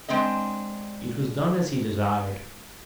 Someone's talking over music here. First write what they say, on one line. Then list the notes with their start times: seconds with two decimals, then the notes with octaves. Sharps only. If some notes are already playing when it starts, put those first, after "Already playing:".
It was done as he desired.
0.08 G#3 C4 D4 D#5